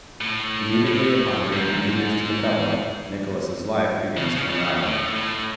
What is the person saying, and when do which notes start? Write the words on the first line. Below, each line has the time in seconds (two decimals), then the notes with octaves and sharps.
Immediately upon being introduced to the couple, Nicholas' life begins to unravel.
0.21 A2
0.87 A2
1.53 G#2
4.17 C#3
4.25 B2
4.34 C#3
4.50 C#3
4.83 A2
5.15 A2